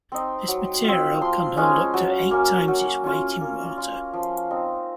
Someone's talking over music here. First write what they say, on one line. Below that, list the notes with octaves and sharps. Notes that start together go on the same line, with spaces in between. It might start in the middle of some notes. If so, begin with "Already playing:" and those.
This material can hold up to eight times its weight in water.
C4 D#4
F#3
C4 F4
F3 C6
G#3 C#4
F#3
A#3 C#4
F#3
C#4 F4
A#3
F4
F3
C4 D#4